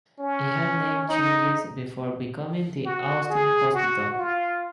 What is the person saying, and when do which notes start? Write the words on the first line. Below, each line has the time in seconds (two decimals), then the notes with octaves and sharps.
It had name changes before becoming the Austin Hospital.
0.19 C#4
1.08 D#4
2.86 F#4
3.30 G#4
3.74 F#4
4.19 F4